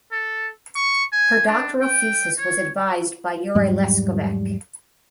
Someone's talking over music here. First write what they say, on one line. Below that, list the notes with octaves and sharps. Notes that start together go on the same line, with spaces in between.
Her doctoral thesis was advised by Jure Leskovec.
A4
C#6
G#5
D4
G5
C#5
E2 G#2 F#3 G3